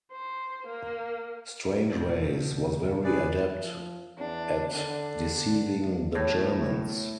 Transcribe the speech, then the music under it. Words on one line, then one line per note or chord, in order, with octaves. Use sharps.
Strangeways was very adept at deceiving the Germans.
C5
A#3
B2 C4 D4
G#4 B4 D5
F3
E2 D4
D3 D4
A2